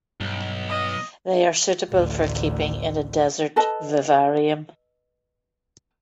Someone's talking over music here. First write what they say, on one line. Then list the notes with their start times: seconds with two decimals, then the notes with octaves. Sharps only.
They are suitable for keeping in a desert vivarium.
0.20 B1 G2
0.69 D#5
1.90 A1 D2
3.56 A4 B4 D#5 A5